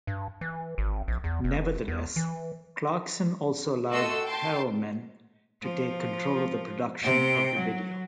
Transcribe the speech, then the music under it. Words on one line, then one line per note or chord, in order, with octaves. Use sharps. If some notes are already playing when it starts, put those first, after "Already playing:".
Nevertheless, Clarkson also allowed Perelman to take control of the production of the video.
G2
E3
G#1
A#1
E2
F1
E2
E3
A3 F#4 A4 D#5 C6 E6
G5 A5 C6
F3
C3 G5
F#3